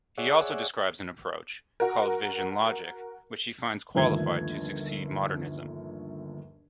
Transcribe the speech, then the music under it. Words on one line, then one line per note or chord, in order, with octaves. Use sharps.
He also describes an approach, called vision-logic, which he finds qualified to succeed modernism.
G#4 C#5 D5 E5 F#5
F#4 A#4
G1 D#2 F3 A3 G#6